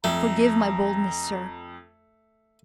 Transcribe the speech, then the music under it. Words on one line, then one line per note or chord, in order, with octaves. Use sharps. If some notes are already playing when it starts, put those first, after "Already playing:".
Forgive my boldness, sir.
F2 A3 A#5